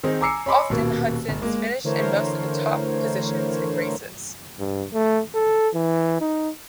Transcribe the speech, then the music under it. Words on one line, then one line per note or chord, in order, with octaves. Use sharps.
Often Hudsons finished in most of the top positions in races.
D#3 C4 D#4 G#4
G#5 A#5 D6 E6 C7 C#7
C#5 D#5 G#5 B5 C6 D6
D#1 B2 A#3
G1
G#3 A#3
D3 E3 A3 A#4 C5 C#5
G2
A3
A4
E3
D#4